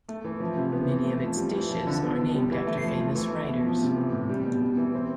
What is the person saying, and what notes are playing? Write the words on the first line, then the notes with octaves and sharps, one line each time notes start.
Many of its dishes are named after famous writers.
A3
E3
F3
C3
B3
E3
A3
F3
G3
E3
F3
D3
B3
B2
G3
E3
A3
F3
A3
E3
A3
B2
F3
C3
E3
A2
G3
B2
G3
E3
C4